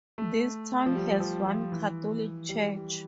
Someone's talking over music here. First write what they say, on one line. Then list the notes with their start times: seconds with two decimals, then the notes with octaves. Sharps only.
This town has one Catholic church.
0.18 A3
0.86 F3
0.95 G3
1.11 G3
1.20 F3
1.46 F3
1.72 E3
2.49 G3